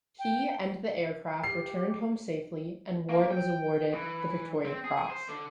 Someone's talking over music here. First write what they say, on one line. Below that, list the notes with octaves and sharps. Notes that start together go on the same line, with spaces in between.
He and the aircraft returned home safely and Ward was awarded the Victoria Cross.
G5
G4 C7
A#3
G5
E3
C4
G#4
C5
D3